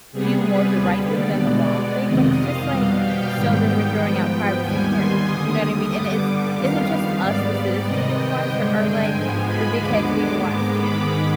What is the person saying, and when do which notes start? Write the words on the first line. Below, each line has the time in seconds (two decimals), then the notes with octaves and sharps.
do more of the right thing than the wrong thing, but it's just like so then we're throwing out privacy, period, you know what I mean? And is is it just us- the citizens- being watched, or are, like, the big heads being watched too?
0.12 C3 G3 B3 G#4
0.45 B4
0.77 D#2 D3 G3 B3
1.09 D5
1.41 B2 G#3 B3
2.06 F2 C3 D#3 D#5
2.38 F5
2.70 B2 G3 B3
3.02 G5
3.34 G#2 D#3 G3 B3
3.67 G5
3.99 G#2 F3 B3
4.63 D#2 D#3 G3 B3 G#5
4.95 C6
5.28 D#2 D3 G3 D#6
5.92 G2 D3 G3 B3 D6
6.57 F2 D#3 G3 B3 F5
7.21 G#2 G3 B3 D5
7.54 D5
7.85 C3 D#3 B3 D#5
8.17 G5
8.50 G2 D3 G#3
8.83 G#5
9.15 G#2 F3 G#3 B3
9.47 B5
9.79 D#2 D3 G#3 B3 D6
10.43 G#2 D#3 G#3 B3 D6
10.75 B5